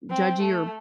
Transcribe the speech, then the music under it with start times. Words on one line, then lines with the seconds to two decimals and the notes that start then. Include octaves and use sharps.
judgy or
0.10 C4
0.41 A3